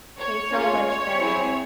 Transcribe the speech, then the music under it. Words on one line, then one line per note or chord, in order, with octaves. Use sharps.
Tastes so much better.
C#5
C#4 F4 G#4
C#5
C4 E4 G#4